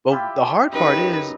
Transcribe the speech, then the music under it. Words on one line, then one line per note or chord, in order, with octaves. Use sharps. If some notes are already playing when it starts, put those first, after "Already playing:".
but w the hard part is
E4 F4 G4 G5 E6
F#2 D#4 G4 A#4 B4 G5